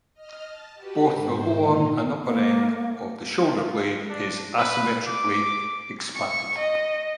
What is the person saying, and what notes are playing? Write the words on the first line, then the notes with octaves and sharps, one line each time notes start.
Both the lower and upper end of the shoulder blade is asymmetrically expanded.
D#5 F6
A5
F#4 G4 B4
G#2 C5
A#2 D3 D#3 D#4
A#3
F4
D4
B4
D6
C#6
D#5